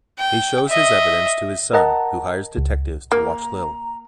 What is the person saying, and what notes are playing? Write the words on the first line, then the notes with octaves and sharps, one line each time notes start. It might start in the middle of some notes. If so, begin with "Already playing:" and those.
He shows his evidence to his son, who hires detectives to watch Lil.
G5
D#5 E5
A#4 D#5 F#5 A5 A#5
C#2
A#3 A#5